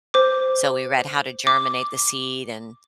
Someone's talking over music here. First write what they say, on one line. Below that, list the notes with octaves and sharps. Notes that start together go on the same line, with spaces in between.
So, we read how to germinate the seed and
C5 D6
D6